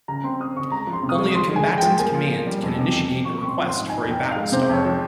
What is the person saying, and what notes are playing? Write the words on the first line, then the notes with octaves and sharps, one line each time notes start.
Only a Combatant Command can initiate a request for a battle star.
C#3 A#5
C4 C6
C4 D#6
C#3 C#6
G#3 A#5
F3
C6
C3
D#6
G#3 C#6
F3 C6
G#3 G#5
G#3
F3 G5
A#3 G#5
F4
A#3
G3
F2
C3
F2
C3
F3 C#6
C4 C#6
C6
F3
C6
G#2
D#4 G#5
F2
G5
D#4
F5
G#3
C3 C5
F2 C#5
F3